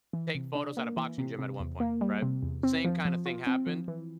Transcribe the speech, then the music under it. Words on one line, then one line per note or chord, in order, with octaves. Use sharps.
take photos at a boxing gym at one point, right? Same kinda thing happened.
E3
C3
D4
A#3
E3
C3
C3
E2
A#3
G3
C3
E2
C4
F3
F3
F4
C4
F3
E3